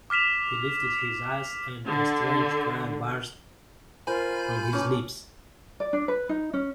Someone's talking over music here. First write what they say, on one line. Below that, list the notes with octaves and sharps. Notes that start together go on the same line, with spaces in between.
He lifted his eyes, and a strange cry burst from his lips.
D6 F6 B6 E7 F7
D3
F4 A#4 C5 G#5 B5 G6
B2 A#3 C#4 A4 D6
D5
D4
B4
D#4
C#4